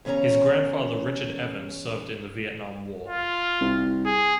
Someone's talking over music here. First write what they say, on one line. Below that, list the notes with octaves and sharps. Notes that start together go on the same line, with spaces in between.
His grandfather Richard Evans served in the Vietnam War.
E2 C#3 C#4 C#5 A#5
F4
C2
G#4